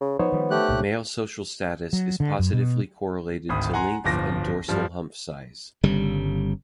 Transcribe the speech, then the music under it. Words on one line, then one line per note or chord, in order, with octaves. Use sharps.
Male social status is positively correlated to length and dorsal hump size.
C#3
F3 B3 D#4 C5 C#5
D#3 F3 G3
A3 G4 F#6
C2 A#2
F#3
D3
F#2
B2
G#1 D2 B5 D#6
F#5 G#5 A#5 C6
D1 G1 F3 D6 A#6
G2 F3 G3
G1 C#3 G3